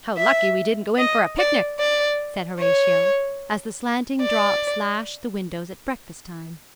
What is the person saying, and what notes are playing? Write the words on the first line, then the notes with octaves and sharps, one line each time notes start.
'How lucky we didn't go in for a picnic!' said Horatio, as the slanting drops lashed the windows at breakfast time.
E5
D#5
D5
D5
C#5
D5